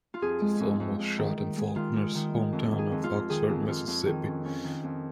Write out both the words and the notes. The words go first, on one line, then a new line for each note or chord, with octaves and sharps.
The film was shot in Faulkner's home town of Oxford, Mississippi.
F4
F2 G#4
G#3
F2
F2
F2
D#3
D#3
G#3
D#3 F4
G#3
D#3
G#3
F2
D#3
G#4
F2
F4
F2
D#3 G#4
F2
F2 F4
F2
D#3
C#4
C#4
D#3
F2